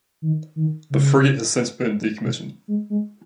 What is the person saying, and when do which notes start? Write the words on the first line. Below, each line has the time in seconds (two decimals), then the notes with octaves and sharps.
The frigate has since been decommissioned.
0.22 D#3
0.56 D#3
0.90 C#3
2.24 B2
2.68 G#3
2.90 G#3